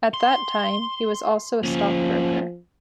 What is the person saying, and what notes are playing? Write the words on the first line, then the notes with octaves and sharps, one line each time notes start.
At that time, he was also a stockbroker.
C6
F3 A#3 C#4